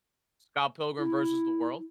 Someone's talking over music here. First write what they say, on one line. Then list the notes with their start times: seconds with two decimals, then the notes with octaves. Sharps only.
Scott Pilgrim vs. the World.
0.98 E4